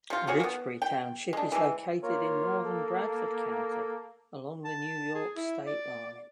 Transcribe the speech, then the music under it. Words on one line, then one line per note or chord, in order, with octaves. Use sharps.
Ridgebury Township is located in northern Bradford County, along the New York state line.
C3 F4
F4 F#4 G#4 C#5
A#3 B3
G5
G#3 D4
E3 G#3
A#3 F4 A#4 C#5
A4
A5
G#4
E4
D5